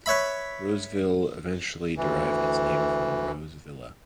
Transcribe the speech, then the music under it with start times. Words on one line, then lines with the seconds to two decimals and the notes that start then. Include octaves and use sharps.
Roseville eventually derived its name from "Rose Villa".
0.06 B4 C#5 E5 B5
1.97 D2 E3